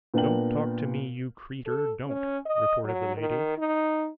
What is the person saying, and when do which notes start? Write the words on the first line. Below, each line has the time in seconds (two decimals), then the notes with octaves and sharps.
'Don't talk to me, you creetur, don't,' retorted the lady.
0.14 A#2 B3 D4 A#4 G5 F#7
1.66 A4
2.07 C#4
2.46 D#5
2.84 F#3
3.17 D#3
3.58 D#4